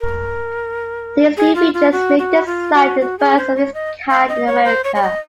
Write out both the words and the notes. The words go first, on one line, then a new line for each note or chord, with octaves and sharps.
These new features make this slide the first of its kind in America.
A#4
G#4
F4
F4
F#4
F#4
F4
F#4
F#4
G#4
C5
C#5
D#5
F5
D#5
C#5
C5
C#5
C#5
D#5